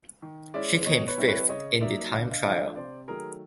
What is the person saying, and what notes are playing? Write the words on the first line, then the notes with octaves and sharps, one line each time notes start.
She came fifth in the time trial.
D#3
G#3 C#4 E4 D5 E5
B2 C#5 D#5
B4 C#5
G3 C4 E4
B4 C#5
C#3 C#5 D#5
F#3 A#3 D#4 D5 E5
D3 F5
D#5 F5
F3 A3 D4 D5 E5
C3 C5 D5
D#3 F#3 A3 G#4 A#4